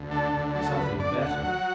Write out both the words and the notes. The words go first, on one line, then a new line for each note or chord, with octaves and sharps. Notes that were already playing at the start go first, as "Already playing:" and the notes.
Something better!
Already playing: D2
D3 A4
D2
F#3 A4
A4
D2 B4
D3 D5
D2 F#5
F#3